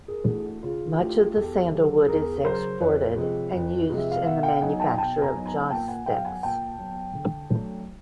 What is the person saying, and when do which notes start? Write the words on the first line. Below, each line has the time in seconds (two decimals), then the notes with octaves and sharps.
Much of the sandalwood is exported, and used in the manufacture of joss sticks.
0.08 G#4 A#4
0.27 E3 A3 D4 F#4 G#4
0.45 F#4
0.63 C#3 F4
0.99 E3 A3 D4 F4 G4
1.35 E2 G4 A4
1.72 C#3 F#3
2.07 E2 G#4 A#4
2.44 C#3 F#3 A#4 C5
2.80 F2 B4 C#5
3.16 C3 F3 G#3
3.53 F2
3.90 C3 F3 G#3
3.98 E5
4.12 F5
4.25 B2 E5 F#5
4.43 F5 G5
4.61 F#3 B3 D#4 F#5 G#5
4.80 G5 A5
4.89 G#5
4.98 B2 G5 A5
5.22 G#5 A#5
5.35 F#3 B3 D#4
5.46 G#5 A#5
5.70 A#2 G5 A5
5.88 F#5 G#5
6.06 F#3 B3 F5 G5
6.25 F#5 G#5
6.43 A#2 G5 A5
6.79 F#3 B3
7.15 D3
7.52 F#3 A3 D4